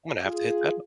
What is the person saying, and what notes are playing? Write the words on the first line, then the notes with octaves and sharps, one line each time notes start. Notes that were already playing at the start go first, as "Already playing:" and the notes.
I'm gonna have to hit that up.
F4 G#4